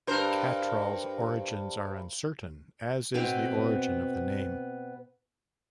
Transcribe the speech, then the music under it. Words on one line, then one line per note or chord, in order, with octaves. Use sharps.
Catral's origins are uncertain, as is the origin of the name.
G2 A#4 C5
B2 B3 C4